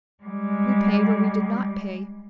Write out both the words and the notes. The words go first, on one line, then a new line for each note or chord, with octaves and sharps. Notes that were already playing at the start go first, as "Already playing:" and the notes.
We paid or we did not pay.
G3 G#3